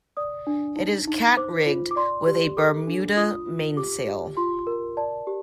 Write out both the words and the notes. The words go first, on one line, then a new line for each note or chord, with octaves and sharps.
It is cat rigged with a Bermuda mainsail.
D5 D#6
D4
D#4
D#4
C5 D6
F4
D6
D5 C6
G4
A4 D6
D4
F4 D#6
F4
G4 D6
G4
F4 C6
A#4
D5 A5
G4